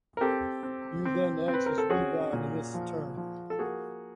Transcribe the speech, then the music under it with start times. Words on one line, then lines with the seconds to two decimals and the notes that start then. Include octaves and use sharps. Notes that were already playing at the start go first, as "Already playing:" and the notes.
U then x is rebound in this term.
0.17 A#4
0.21 C4 G4 A4
0.63 C4
1.05 C4
1.48 C4
1.54 B4
1.66 A#4
1.78 A4
1.90 C#4 F#4 G#4
2.33 A#2
2.74 F3
3.17 F3
3.50 A4
3.59 A#3 F#4 G#4